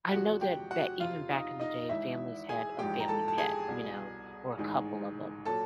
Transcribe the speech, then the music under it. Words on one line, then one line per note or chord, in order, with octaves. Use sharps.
I know that back even back in the day, families had a family pet, you know, or a couple of 'em.
E2 C3 F3 G#3 F#4 F#5
G4 G5
F#4 F#5
F2 C3 F3 F4 F5
D#4 D#5
D#4 D#5
G#1 G#2 E3 E4 E5
G#4 G#5
A1 G#2 F3 G#3 G4 G5
A#5
A4 A5
A5
G#4 G#5
C2 B2 G3
A1 G#2 D#3
A#2 F#3 A4 A5